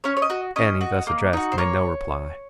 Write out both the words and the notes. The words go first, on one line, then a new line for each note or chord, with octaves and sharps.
Annie, thus addressed, made no reply.
C#4 C#5
C#5
D#5
F#4
C#4 D#5
F#4
A#3
D#4 F#4
C5
A#3 C#5